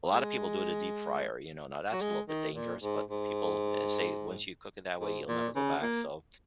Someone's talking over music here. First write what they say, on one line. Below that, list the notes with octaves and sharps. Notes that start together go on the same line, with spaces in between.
A lot of people do it in a deep fryer, you know? Now that's a little bit dangerous, but people, eh, say once you cook it that way, you'll never go back, so,
G#3
F#3
G#3
D#3
A#2
G#2
G#2
G#2
A#2
C#3
A#3